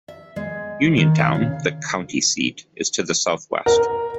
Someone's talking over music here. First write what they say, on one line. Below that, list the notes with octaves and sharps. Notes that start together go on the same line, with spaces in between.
Uniontown, the county seat, is to the southwest.
E5
G#3
D#3
F5
C#3
A#4